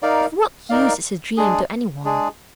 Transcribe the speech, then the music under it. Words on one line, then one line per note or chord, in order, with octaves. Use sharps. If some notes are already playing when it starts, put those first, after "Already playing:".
Of what use is a dream to any one?
D#4 A#4 D5 F5
D#4 A#4 D5 F5
G#3 D4 G#4
G#3 D4 G#4